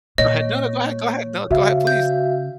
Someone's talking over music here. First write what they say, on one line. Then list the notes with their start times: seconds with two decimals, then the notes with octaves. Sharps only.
go ahead. No, no, go ahead, go ahead. No, go ahead, please.
0.18 A#2 C#5 D#5
1.51 C#3 F#4 E5 F5
1.87 G6